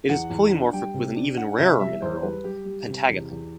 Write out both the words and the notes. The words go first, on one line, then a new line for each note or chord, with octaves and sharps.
It is polymorphic with the even rarer mineral, pentagonite.
E2 F#5
E2
D4
G3 G5
C3
D4
D4 F#5
C3 E5
G3 E5
E2 C5
G3 B4
G3 G4
G3
C3
E2
E2